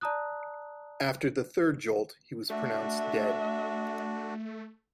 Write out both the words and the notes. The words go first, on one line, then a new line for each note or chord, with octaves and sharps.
After the third jolt, he was pronounced dead.
D5 A5 A#5 D#6 F#6
A3 D4 F#4 E5